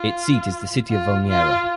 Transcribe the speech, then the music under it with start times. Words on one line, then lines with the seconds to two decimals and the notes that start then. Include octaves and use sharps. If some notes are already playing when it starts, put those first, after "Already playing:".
Its seat is the city of Valmiera.
Already playing: F4
0.90 F4
1.28 F4